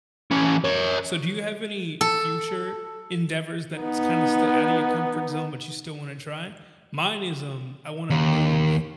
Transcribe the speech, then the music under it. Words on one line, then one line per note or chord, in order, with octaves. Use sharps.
So do you have any future endeavors that's kinda still outta your comfort zone, but you still wanna try? Mine is, um, I wanna move
E3 C#4
A#4 C#5
A4
B3 D#4
D#2